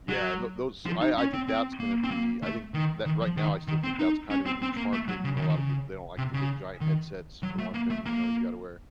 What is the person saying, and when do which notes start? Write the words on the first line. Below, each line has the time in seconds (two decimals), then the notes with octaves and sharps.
Yeah, and tho those so, I I think that's gonna be I think that, right now, I still think that's kind of a niche market. You know, a lotta people, they don't like the big giant headsets for one thing, you know, you gotta wear
0.09 F#3
0.86 F3
1.01 D#4
1.18 C#4
1.33 C4
1.48 C4
1.80 A#3
2.04 C4
2.11 A#3
2.43 A3
2.74 D#3
3.05 D#3
3.21 F3
3.37 D#3
3.68 D#3
3.84 C4
3.99 D#4
4.30 C#4
4.46 C4
4.62 C4
4.77 A#3
4.93 A3
5.08 F#3
5.24 C#3
5.36 C#3
5.40 D#3
5.50 D#3
5.55 C#3
6.18 C3
6.33 C#3
6.81 D#3
7.43 F#3
7.58 A3
7.74 A#3
7.90 A3
8.06 A#3